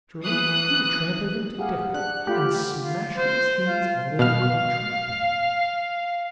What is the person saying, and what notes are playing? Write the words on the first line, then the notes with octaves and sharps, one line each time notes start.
Naturally he would trample them to death, and smash with his hands all that he couldn't trample.
E3 D#6 F#6
G4 G#4 F5 F#5
D4 F#6
A3 F4 G4 B5
F4
C5
F4
B2 F5 F6